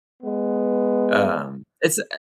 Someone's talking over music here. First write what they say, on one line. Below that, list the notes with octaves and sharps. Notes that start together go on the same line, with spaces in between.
um, it's, uh
G#3 B3